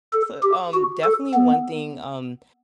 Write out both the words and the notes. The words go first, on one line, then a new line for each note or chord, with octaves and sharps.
So, um, definitely one thing, um,
A4
G4
F#4
A4
B3